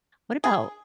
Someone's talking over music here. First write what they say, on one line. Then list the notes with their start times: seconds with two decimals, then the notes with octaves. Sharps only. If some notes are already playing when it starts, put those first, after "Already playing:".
what about,
0.44 G#4